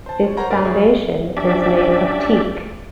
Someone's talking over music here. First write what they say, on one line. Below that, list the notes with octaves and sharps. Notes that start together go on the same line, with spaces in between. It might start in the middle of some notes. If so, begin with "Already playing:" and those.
Its foundation is made of teak.
C5 A5
C#5
A#4 C5 C#5 F#5 A#5
G2 F#4 A#4 B4 D5 A6
G#4 C#5 E5
F#4
C#4 D4 G4 D5 E5